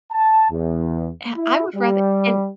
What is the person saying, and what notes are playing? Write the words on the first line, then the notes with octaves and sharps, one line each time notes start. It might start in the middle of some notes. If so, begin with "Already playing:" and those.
I I would rather and
A5
E2
E4
G3